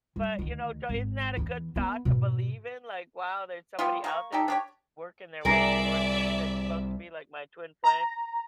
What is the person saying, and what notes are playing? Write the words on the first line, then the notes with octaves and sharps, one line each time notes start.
but, you know, isn't that a good thought to believe in, like, wow, there's somebody out there that's working their way towards me that's supposed to be, like, my twin flame.
G3
D2 D#3
G#1
E2 E3
B3
G#2 B2
G3 B3 F4
A#3 G#4 C#6
D#4 G4 A4
D4 G4 C#5
C2 G#4 A#4 D5 E5
A#5